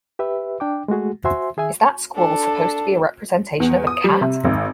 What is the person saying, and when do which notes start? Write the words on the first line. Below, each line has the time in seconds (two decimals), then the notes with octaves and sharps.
Is that scrawl supposed to be a representation of a cat?
0.19 G4 B4 E5
0.60 D4 G5 D6
0.88 G#3 A3 F#4 G#4
1.25 F#4 C5 E5 G#5 C6
1.57 D#3 G#4 E5 G#5
2.16 D4 A4
3.60 E2
3.87 D#6
4.04 G3
4.21 C3
4.45 G#1